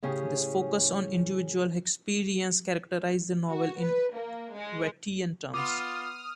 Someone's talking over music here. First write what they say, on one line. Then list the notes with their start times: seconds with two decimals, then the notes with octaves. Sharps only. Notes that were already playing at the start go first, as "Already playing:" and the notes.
This focus on individual experience characterises the novel in Wattian terms.
0.03 A2 C#3 C#4 G4 G#4
3.49 F#4
3.81 B4
4.16 A#3
4.56 G#3
5.54 B3 F4 C6 D6 D#6 F6